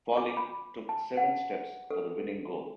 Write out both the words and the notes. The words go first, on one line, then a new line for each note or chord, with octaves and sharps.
Foley took seven steps for the winning goal.
D6
B5
A5
F#5
A4